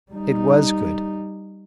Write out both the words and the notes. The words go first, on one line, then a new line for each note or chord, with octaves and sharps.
It was good.
G3 D#4